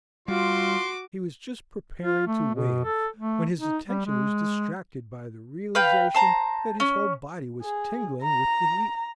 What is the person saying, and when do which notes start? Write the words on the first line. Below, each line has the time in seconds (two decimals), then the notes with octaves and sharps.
He was just preparing to wave when his attention was distracted by the realization that his whole body was tingling with the heat.
0.28 G3 F4 F#4 C6 D6
2.01 F4
2.27 A3
2.55 B2
2.85 A4
3.17 A3
3.59 D#4
3.87 G3
4.05 G#3
5.75 B4 F5 G5
6.15 C5 A5 A#5
6.80 C#4
7.62 G#4
8.22 A#5